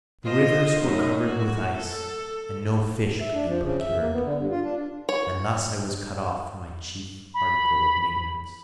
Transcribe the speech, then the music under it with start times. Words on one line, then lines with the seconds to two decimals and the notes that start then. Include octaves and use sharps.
The rivers were covered with ice, and no fish could be procured; and thus I was cut off from my chief article of maintenance.
0.24 F4 C5 D#5
0.80 F#2 A3 D#4
1.25 F#4
1.76 A4
3.20 E5
3.34 D4
3.48 F3
3.63 C#3
3.80 E5
4.00 A#3
4.13 B3
4.24 D3
4.37 G2
4.51 F4
4.64 D4
5.09 C#5
7.34 B5